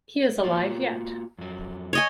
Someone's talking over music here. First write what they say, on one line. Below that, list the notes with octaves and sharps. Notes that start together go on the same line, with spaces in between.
He is alive yet.
A#3 F4 F#4
F2 F#3
C#5 D#5 G#5